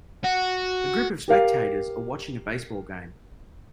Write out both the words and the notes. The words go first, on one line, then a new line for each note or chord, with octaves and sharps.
A group of spectators are watching a baseball game.
F#4
G4 A#4 F5